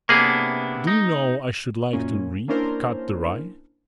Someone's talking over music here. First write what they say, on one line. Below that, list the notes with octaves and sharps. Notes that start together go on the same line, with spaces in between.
But do you know, I should like to reap, cut the rye?
C3 A#3 B3 D4 G#4
D#4
F#2 A#2 A#3 C#4
A#3 C#4 D4 E4 A#4 C5